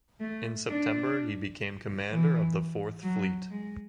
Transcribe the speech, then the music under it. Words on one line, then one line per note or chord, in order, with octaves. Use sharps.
In September he became commander of the Fourth Fleet.
A3
D4
E3
F#3
G#3